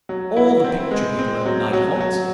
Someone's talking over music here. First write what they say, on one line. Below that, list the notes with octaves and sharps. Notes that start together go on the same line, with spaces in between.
All the picture people have night haunts.
F#3
E4
C4
G#3
C4
F#3
F#3
F#3